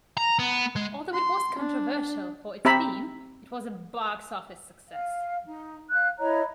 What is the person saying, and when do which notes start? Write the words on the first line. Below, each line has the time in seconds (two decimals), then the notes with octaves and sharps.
Although it was controversial for its theme, it was a box-office success.
0.17 A#5
0.39 B3
0.76 G#3
1.13 C6
1.59 D4
2.65 C4 G4 E5 A#5 B5
4.88 F5
5.45 D#4
5.91 F5 F#6
6.18 E4 C#5 D#5 A#5